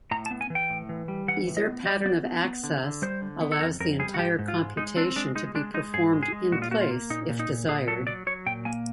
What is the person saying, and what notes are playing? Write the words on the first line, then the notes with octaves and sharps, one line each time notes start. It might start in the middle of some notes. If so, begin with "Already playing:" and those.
Either pattern of access allows the entire computation to be performed in-place if desired.
A2 A#5
A5
B3
G#5
E3
G5
A2
E3
G3
E3 F#5
A2
D#5
B3
G3 D#5
B3 D5
B3
B3
D3
D3
G3 C5
D3
B3
A4
F2 A#4
F2 A#4
G3 G#4
F#4
G#2 G4
G#2
F4
G#3
G#3 D#4
C4 D4
G#3 D4
G#3 D#4
G#3 D4
G#3 D#4
G#2 G#4
G#3
G#4
G#3
A#2 F#4
F4
A#3 F#4
F4
A#3
A#2 D#4
A#2
D#4
A#2
A#2 G#4
F#3 A4
F#3 D5
F#3 C#5
A#2 G5
A#3 G#5